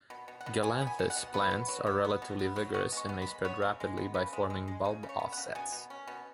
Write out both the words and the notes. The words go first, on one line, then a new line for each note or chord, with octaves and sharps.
"Galanthus" plants are relatively vigorous and may spread rapidly by forming bulb offsets.
B2
B2
F#5
B2
F#3 G#5
B3
G#5
B2
F#5
B2
B3 B4
B2
F#3
B3
B3
B2
B3
F#3
B3 C#6
G#3 C#6
B3
B5
G#3
B3 C#5
C#3
G#3
B3
C#3 B4
G#3
G#3
G#3
C#3 G#4
C#3
C#5
B3
F#5
C#3
B2 G#5
B2
C#4
B2